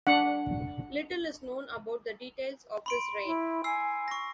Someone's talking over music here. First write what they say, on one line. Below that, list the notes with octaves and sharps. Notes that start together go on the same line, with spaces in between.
Little is known about the details of his reign.
D4 F#5
B5 C6 D7
E4
G#5 E6 C7
C#6 A#6